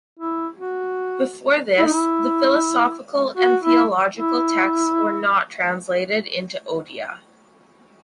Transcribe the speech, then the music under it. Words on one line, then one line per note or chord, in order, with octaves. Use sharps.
Before this the philosophical and theological texts were not translated into Odia.
E4
F#4
E4
D#4
E4
F#4
E4
E4